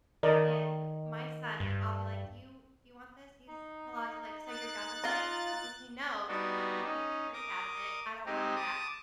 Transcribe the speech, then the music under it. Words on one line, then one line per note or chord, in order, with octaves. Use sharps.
And, my son, like, I'll be like, "Do you do you want this? He's he'll always be like, "So you're done with it? Because he knows that once he takes the drink out of it, I don't want it back.
D#3 A#4 D5 D#5
G2
D#4
F#6 A6
F4 A#5
G3 B3 D4 D#4 F#4
C#4 D#4
A#4 D6 D#6
G#3 C4 D#4 G4 D#5
A5 D6 D#6